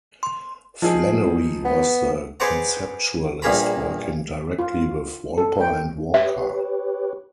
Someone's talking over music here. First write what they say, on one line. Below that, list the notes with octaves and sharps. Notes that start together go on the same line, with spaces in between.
Flannery was the conceptualist working directly with Wolper and Walker.
C6
F3 D#4 G#4
B3
G#4 B4 C5 D5 F#5 A#5
A#1 G2 A#3 G#4 A#5 B5
F4
A4
G5
G4 B4 C#5 E5